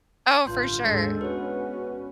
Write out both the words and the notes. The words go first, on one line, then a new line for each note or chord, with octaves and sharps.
Oh, for sure.
A1 G2 D3 F4 C6 G6
D#2 G#2 G#3 D4 G#4 A4
B3 C#4 F#4 B4 C#5